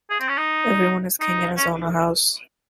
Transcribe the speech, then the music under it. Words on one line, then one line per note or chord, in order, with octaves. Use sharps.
Every one is king in his own house.
G#4
C4
C#4
D#4
D#4
C#4